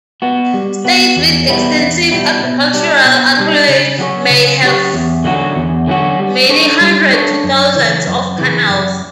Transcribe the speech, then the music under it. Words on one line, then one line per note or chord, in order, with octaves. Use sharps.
States with extensive agricultural acreage may have many hundred to thousands of canals.
B3 F#4
G3
B3 F#4
E2
B2 G3 B3 E4
E2
B2 G3 B3 E4
B2
G3 D4
B2
G3 D4
C#3
F#3 C#4 G4 C#5
C#3
F#3 C#4 G4 C#5
E2
D3 F#3 C#4 F#4
E2
D3 F#3 C#4 F#4
G3
D4 A4 C#5
G3
D4 A4 C#5
F#2
C#3 E3
F#2
C#3 E3
F#2